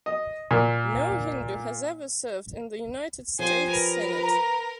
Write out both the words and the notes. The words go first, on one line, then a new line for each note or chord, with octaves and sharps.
No Hindu has ever served in the United States Senate.
D#5
A#2
F3 G4 C5 G#5
A#4 B4
A#5